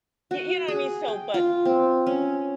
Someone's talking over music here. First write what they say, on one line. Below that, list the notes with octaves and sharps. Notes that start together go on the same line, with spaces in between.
Y you know what I mean? So but
F#4
G#4
G5
F4
C4
C#4